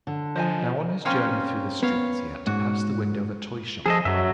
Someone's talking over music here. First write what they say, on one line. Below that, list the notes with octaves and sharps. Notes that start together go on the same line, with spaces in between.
Now on his journey through the streets he had to pass the window of a toy-shop.
D3
F3 C5 D#5 G#5
A#3 C4 C#4
B3 C#5 F5
G#2 F#4
F3 G#4 A4 D#5
F#2 F#3 E5